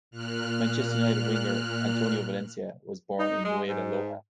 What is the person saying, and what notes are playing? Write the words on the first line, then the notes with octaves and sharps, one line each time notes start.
Manchester United winger Antonio Valencia was born in Nueva Loja.
A#2 F6 F#6
D#4
G#3
G#2